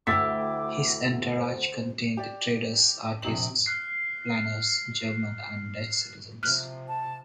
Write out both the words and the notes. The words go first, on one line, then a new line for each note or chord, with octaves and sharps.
His entourage contained traders, artists, planners, German and Dutch citizens.
D2 E4 G4 D6 E6 A6 B6
C5
G4 D5
A#1 C3 F#7
F6 F#6 C7
C3 F3 F6 F#6
A5